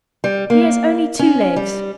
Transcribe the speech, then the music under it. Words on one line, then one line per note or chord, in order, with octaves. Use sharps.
He has only two legs!
G3
A#3
C#4
G3